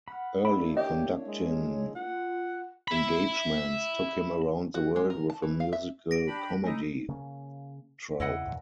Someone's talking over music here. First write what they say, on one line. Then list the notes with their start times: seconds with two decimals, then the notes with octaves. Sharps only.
Early conducting engagements took him around the world with a musical comedy troupe.
0.08 F#5 B5 F6
0.45 A#3 D4 E4 B5 D7
0.77 G4 C#5 D#5
1.27 G#3
1.95 F4 F#5
2.88 E5 B5
4.74 F#4
4.96 G#3
5.10 A#4
5.30 A5
5.42 E3
5.60 F5
5.73 E5
6.11 A#6 D7
6.26 D4 G4 B5
6.64 A3 C#4 D#4 E4 D#5
7.08 C#3 A#3 C#4
8.20 E2 C#3 E4 D#5 F#5
8.47 E2 A#2